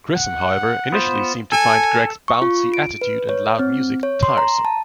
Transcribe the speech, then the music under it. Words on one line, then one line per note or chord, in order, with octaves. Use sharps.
Grissom, however, initially seemed to find Greg's bouncy attitude and loud music tiresome.
F#5
B3 F4 C5
A4 G#5
C#6
F4
D7
B4
C#5
C4
C#5
C6
A#5
A5